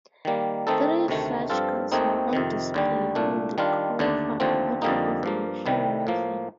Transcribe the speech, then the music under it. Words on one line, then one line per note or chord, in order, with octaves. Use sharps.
Three such cars are on display in the Crawford Auto-Aviation Museum.
D#3 G3 A#3
D#3 A3 C4 D#4 A4
D2 C3 D#3 A3
G2 F3 C4 F4 A4
D#2 D#3 A3 C4 D#4
F2 C3 D#3
D#2 D3 G3
C2 A#2 A3 D4
D#3 G3 D4 F4
D#2 D3 A3 D4
D#2 D3 F3 A3 C4
F2 D3 G3 A#3 D#4
G2 F3 A#3
C2 C3 D#3 G3
A2 F3 A#3